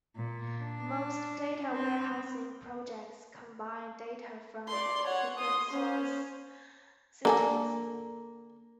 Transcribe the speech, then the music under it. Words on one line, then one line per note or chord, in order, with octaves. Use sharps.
Most data-warehousing projects combine data from different source systems.
A#2
D4
C4
D5 C6
C#5 F#5
C6 D#6
C#4 C5
D3 A#3 A4 G#5